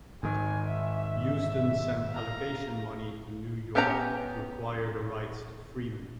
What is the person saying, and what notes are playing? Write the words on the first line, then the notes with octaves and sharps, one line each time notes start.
Houston sent allocation money to New York to acquire the rights to Freeman.
G#2 D#3 G#5
E5
F5 A#5
B3 C#4 G4 F5 A#5